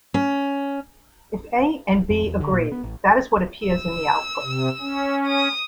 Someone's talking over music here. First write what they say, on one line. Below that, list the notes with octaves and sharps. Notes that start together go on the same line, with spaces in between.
If "A" and "B" agree, that is what appears in the output.
C#4
F2
E2
D3
A#2
B3
A1
E6
C3
C#4
D#6